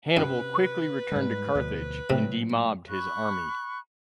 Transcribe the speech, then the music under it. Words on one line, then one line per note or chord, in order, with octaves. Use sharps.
Hannibal quickly returned to Carthage and demobbed his army.
F#2 C3 B4
G#2 G3
D2 B2 F3
A2 C3 F#3
B5 C#6 F#6